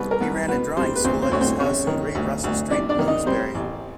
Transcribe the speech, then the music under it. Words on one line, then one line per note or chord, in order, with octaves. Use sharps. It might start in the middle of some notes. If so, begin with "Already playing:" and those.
He ran a drawing school at his house in Great Russell Street, Bloomsbury.
Already playing: C2 G3 B3 B4
A#4
C2 B3 B4
B2 B3 B4
G3 C4 C5
B4
D2 C4 C5
C4 C5
D2 C#5
C4 C5
C3 C#4 C#5
D#3
D2
D2
C3 D4 D5
D4 D5
D#3
D#4 D#5
G3 C4 C5
A1